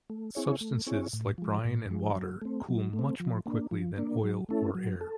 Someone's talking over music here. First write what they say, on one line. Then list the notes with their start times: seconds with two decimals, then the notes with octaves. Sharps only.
Substances like brine and water cool much more quickly than oil or air.
0.10 A3
0.35 C4 E4 G#4 C#5
0.61 A3
0.87 C4 E4 G#4 C#5
1.13 A2
1.38 F3 G#3
1.65 A2
1.90 F3 G#3
2.16 F#3
2.42 A3 C4
2.69 F#3
2.93 A3
2.99 C4
3.20 F3
3.46 A#3 D4
3.71 F3
3.97 A#3 D4
4.24 F#3
4.49 A3 C#4 E4 A4
4.75 F#3
5.01 A4